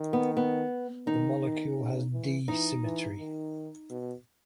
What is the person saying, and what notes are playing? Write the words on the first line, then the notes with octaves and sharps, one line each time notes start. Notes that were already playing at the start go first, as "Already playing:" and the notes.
The molecule has D symmetry.
Already playing: D#3
B3
B3
D#3 D#4
D#3
C#3
E3
E3 D#4
E3
D#3
B2